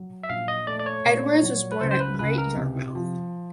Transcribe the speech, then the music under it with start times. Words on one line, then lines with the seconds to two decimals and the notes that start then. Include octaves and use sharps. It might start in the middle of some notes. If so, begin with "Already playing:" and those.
Edwards was born at Great Yarmouth.
Already playing: F#3
0.23 E5
0.29 A#1 F5
0.48 D#5
0.67 A3 D5
0.79 D5
0.86 C#5
1.05 A#2
1.43 F#3
1.72 B4
1.81 C#2 C5
1.91 C5
2.00 B4
2.19 C#2 B4
2.38 A#4
2.56 C3
2.95 F3